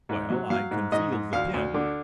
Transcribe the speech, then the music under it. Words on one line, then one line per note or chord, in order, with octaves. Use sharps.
"Well, I can feel the pin."
G#2
F#3
F#3 F5
G#2
G#2 D#5
G#2
D2 F5
D2
D3